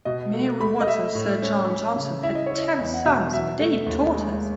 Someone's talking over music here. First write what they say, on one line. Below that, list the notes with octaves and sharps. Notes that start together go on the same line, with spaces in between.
Mary Watts and Sir John Johnson had ten sons and eight daughters.
B2 D#5
A3
A3 B5
D#5
A3 E5
A2
C#4
C#4
C#3
E4 E5
D#5
E4 C#5
D#5
E2 D#5
F#5
B2 E5
F#3 E5
A3
D#2
G#3